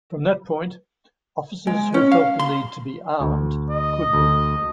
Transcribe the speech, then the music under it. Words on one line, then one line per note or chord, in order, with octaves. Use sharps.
From that point, officers who felt the need to be armed, could be.
G#3
C#4
F5
C6
D2
D#5
D2